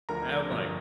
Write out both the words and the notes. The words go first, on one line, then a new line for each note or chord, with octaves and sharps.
And, I'm like,
D2 D3 F3 A#4 A#5
G1 G2 F3